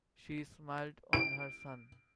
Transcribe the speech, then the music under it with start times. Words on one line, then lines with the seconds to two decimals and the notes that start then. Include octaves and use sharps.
She smiled on her son.
1.13 D7